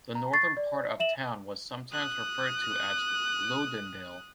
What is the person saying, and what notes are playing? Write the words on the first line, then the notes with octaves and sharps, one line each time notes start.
The northern part of town was sometimes referred to as Lowdenville.
A#5
C#6 A6 C7
D5
E5 E7 F#7
D#6 F#6